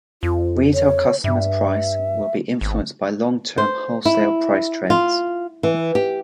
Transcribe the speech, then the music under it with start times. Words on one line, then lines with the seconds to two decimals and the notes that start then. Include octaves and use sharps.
Retail customers' price will be influenced by long-term wholesale price trends.
0.23 F2 F4
0.74 C#5
1.24 G2 E5
2.61 G#1
3.58 C5
4.05 E4
4.90 F4
5.63 E3
5.95 G4